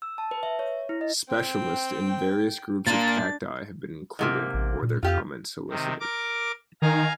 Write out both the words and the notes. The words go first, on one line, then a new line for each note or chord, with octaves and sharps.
Specialists in various groups of cacti have been included, or their comments solicited.
E6
A5
B4
E5
C#5
E4
D#5
C4 G5
A#2 A#3 D4 F4 A6
G#2 C3 A#3
A1
A#2
F2 F4 G4 F5
C3 D#3
A#4 D6
D#3 F5 G#5 A#5